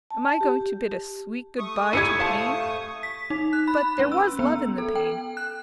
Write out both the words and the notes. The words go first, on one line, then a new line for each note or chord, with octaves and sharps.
Am I going to 'Bid a sweet good-bye to Pain?' But there was Love in the Pain.
A5
G4
A3 C#6 D#6
E4 G4 G#6 C#7 D#7
C5 F5 A5
B6
D#4
F#6
B5
C#4
E6
B3
A4
G5
F#6